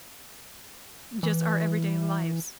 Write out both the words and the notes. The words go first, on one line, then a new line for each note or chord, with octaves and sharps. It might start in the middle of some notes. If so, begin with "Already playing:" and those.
just our everyday lives.
E3